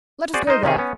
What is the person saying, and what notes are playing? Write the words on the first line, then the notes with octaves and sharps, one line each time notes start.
Let us go there!
F#4 G#4 C5 D5
D#4 A#4 C5 D#5
C3 D#3 C#4 G#4
B3 C#4